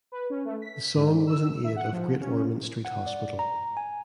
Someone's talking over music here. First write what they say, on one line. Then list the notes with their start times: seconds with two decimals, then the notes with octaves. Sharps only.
The song was in aid of Great Ormond Street Hospital.
0.12 B4
0.30 C#4
0.45 A3
0.62 B6
0.96 G#2
1.27 E6
1.64 E5
1.76 F#5
1.92 F3
2.21 C#4
2.85 F#5
3.06 D5
3.39 A#5
3.77 G#5